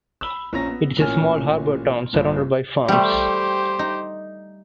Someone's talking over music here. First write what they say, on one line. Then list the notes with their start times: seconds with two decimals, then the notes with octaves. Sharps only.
It is a small harbor town surrounded by farms.
0.21 B5 E6
0.53 A#1 C#4 A#5 A#6
0.68 B3
0.97 A1 A#2 C#4 G#5 F6
2.13 A#1 G2
2.88 G3 A3 G4 C5
3.79 D#4